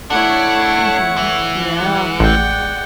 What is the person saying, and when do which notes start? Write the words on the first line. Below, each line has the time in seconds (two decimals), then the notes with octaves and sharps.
Mhm. Yeah.
0.10 A3 D4 E4 C#5 F#5
1.17 E3
1.77 G#3 F#5
2.20 A1 D5 G5